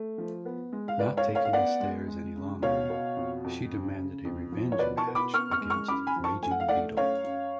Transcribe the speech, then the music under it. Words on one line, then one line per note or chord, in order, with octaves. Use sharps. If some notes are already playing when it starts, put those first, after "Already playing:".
Not taking the stares any longer, she demanded a "revenge match" against Raging Beetle.
Already playing: A3
F3
B3
G#3
F5
G#2 B4 D5
C#5 F5
A3
C#5 F5
F5
B3 D5 F#5
G#3
G#3
C#3
B2 C#5 F5
B2
F2
F2
C#3
C#3
F2
F3
C#5
B2 B4 D5
A5 C#6
B3
B5 D6
B3 C#6 F6
C#6 F6
G#3
C#6 F6
F#2 B5 D6
G#5 B5
F3
A5 C#6
A3 G#5
F#5
F5
A3 D5 F#5
F#2 C#5 F5
F#2